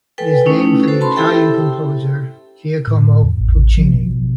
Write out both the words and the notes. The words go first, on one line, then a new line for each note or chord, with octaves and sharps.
It is named for the Italian composer Giacomo Puccini.
A4 B4 G5 G#5
A3 C#4 D#4 E4
F#4 A4 C5
A5 B5 C6
E4 G4 A4 E5 G5
A2
E2
A1
F3
B2